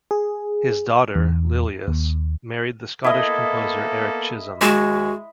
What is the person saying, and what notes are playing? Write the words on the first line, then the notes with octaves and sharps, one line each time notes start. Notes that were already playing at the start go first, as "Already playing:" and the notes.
His daughter, Lillias, married the Scottish composer Erik Chisholm.
G#4
E2
D#2
A#3 B3 E4 A4 D#5
D#2 G#3 F#4